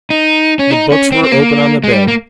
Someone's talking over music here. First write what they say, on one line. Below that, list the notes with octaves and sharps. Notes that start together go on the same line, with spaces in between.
The books were open on the bed.
D#4
C#4
D#4
C#4
C4
C4
A#3
G#3
G3
A#3